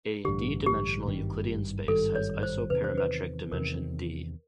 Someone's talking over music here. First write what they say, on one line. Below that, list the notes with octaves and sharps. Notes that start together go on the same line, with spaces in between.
A "d"-dimensional Euclidean space has isoperimetric dimension "d".
A1 G2 D3 G4
G4
G#1 G2 D#3 G3
G#1 G2 D#3 G3 A4
C#5
C5
E2 C3 D#3 B4
C5
B4
E2 C3 D#3 A#4